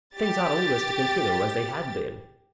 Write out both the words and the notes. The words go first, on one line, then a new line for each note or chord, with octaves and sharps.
Things ought always to continue as they had been.
G4 A6